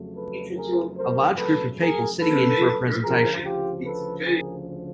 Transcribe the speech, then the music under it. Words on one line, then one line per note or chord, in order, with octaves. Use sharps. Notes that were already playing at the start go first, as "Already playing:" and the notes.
A large group of people sitting in for a presentation.
Already playing: F2 C#3 F#3 A3
A4 B4
G#4 A#4
A#4 C5
A4 B4
G#4 A#4
A4 B4
D2 C#3 F3 G#4 A#4
F4 G4
A4 B4
G#4 A#4